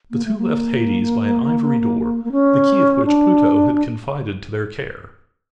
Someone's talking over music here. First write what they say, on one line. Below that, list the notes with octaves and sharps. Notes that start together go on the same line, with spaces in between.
The two left Hades by an ivory door, the key of which Pluto had confided to their care.
A#3
A3
A#3
A#3
C#4
D4